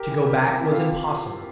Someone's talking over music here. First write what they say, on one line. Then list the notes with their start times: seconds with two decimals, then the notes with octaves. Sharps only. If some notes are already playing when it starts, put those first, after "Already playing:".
To go back was impossible.
Already playing: G4 A#4
0.09 E3
0.26 C3 G4 A#4
0.44 E3
0.60 C3 E4 G4
0.72 F4 A4
0.77 E3